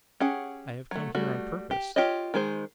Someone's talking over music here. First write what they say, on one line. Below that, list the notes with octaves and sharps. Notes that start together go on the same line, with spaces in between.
I have come here on purpose.
C#4 G4 G#4 F#5
F#3 A3
G3 A3 F#4
G4
F4 G4 C#5 D#5
D#3 G#3 G#4 C5